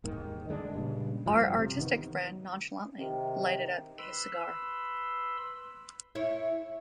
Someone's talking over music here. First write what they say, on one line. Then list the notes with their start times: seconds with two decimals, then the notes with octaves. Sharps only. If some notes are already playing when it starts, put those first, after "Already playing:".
Our artistic friend nonchalantly lighted up his cigar.
0.04 D#2 G#2 D#3
0.49 D3 G#3 C4 D4
0.74 G2 A#2 C#3
1.26 G2 F3
1.58 C3
1.79 D#3 B3
2.98 C3 D#3
3.98 B4 B5 C6 E6
6.15 E4 C#5